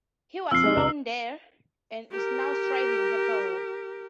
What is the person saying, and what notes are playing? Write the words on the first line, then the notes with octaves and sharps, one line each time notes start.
He was flown there and is now thriving happily.
F2 F3 E6 F6 C7
G#3 D#4 G4
C#2 A#5
G4 A#4